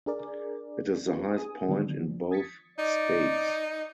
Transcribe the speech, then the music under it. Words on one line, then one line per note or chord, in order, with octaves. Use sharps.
It is the highest point in both states.
D4 G#4 A#4 D5
D4 F4 G4 B4
G#4 G#5 D#6
D3 D#3 F#3 G#3 B3 D4
F3
D#6 G#6 A6 B6 C#7
D#4 D5